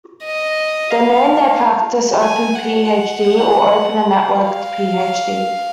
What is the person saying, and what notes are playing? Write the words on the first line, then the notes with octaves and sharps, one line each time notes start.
They name their practice OpenPhD or Open and Networked PhD.
D#5
F5
G#5
F#5
F5